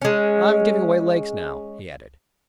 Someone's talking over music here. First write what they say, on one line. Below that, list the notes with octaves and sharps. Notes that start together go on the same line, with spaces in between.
"I am giving away lakes now," he added.
G#3 C#4